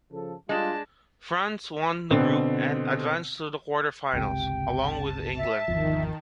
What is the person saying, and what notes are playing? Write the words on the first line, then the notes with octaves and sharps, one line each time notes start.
France won the group and advanced to the quarter-finals, along with England.
C#3 F3 A4
G3 G#3 D4 F4 A5
B2 D3 C4
G1 C#2 C3 G5
A5
E5
G#1 E2 D#3 F3